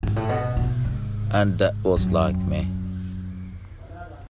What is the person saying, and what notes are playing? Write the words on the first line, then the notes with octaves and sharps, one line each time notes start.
And that was like me!
G#2
A2
B2
B2
G#2
F#2